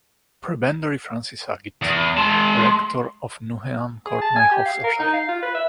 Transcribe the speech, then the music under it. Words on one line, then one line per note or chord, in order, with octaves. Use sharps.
Prebendary Francis Haggit, rector of Nuneham Courtenay Oxfordshire.
E2
G#3 A5 C6
G#4
A5
G#5
G4
F5
A#4
D#4
F5
F4
B4
E5